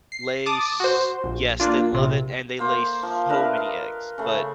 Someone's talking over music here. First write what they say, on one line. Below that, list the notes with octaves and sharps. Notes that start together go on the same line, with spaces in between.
lay s Yes, they love it and they lay so many eggs, but
C7
A5 D6 D#6
F#4 C5
A#1
A#3 D4 F4
A#1 C3
A#3 C5 D6
F3
D4 A#4 B4 E5
D#5 F5
C#3 A3